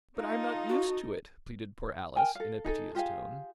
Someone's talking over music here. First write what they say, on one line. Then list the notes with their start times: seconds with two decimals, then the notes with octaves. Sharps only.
'But I'm not used to it!' pleaded poor Alice in a piteous tone.
0.18 D#4 F4 A4 D#5
0.69 F#4
2.16 A#4 G5 G#5
2.35 A4 F5
2.64 D#4 G#4 A4
2.95 F4 G4 G#4 F5